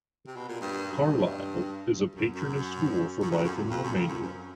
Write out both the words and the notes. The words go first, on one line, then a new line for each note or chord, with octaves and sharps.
Carlyle is a patron of School For Life in Romania.
C3
B2
A#2
G2
F#2
G2
F#2
F#2
F#2
F2
F#2
F2
F#2
F2
F#2
F#2